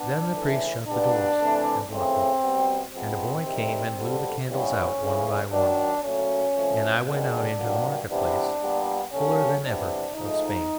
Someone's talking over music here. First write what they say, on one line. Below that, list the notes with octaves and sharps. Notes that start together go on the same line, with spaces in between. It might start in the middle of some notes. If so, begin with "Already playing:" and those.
Then the priest shut the doors and locked them, and a boy came and blew the candles out one by one, and I went out into the market-place, fuller than ever of Spain.
Already playing: B3 D4
A2 E3 A3
A#2 G3 B3 D4
C3 E3 A3
C#3 E3 A3 C4
B2 G3 B3
C3 F3 G#3 B3 C4
F2 C3 D#3 G3
F2 D3 G3 B3
G2 E3 G3 B3 C#4
F2 C#3 E3
F#2 D#3 F#3 D4
A#2 F#3 A3 C#4
C3 F3 A3
F#2 D#3 G#3 B3 D4
G2 D#3 F#3 A#3
C3 E3 G3 B3 D4
A#2 G3 B3
F#2 D3 G3 A#3 C#4
C3 E3 G3 B3 D4
G#2 F3 A3 D#4